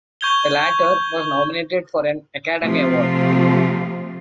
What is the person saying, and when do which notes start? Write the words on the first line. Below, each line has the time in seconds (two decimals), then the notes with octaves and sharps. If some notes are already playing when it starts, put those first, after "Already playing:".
The latter was nominated for an Academy Award.
0.21 C#6 G6 G#6 F7 G7
2.63 C3 F3 A3 C4 F4